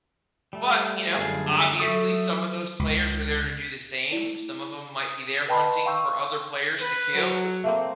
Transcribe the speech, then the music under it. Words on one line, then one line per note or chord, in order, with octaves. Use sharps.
but, you know, obviously, some of those players are there to do the same. Some of 'em might be there hunting for other players to kill.
G3 A3
F#2 D3 F4 G#4
F#3 A3 E5 D#6
C#2
E4 D5
D#6
B4 D#5 G5 A5 B5 C6
F5 G5 C6 C#6 E6 G6
B4
F#3
A3 A#3 C4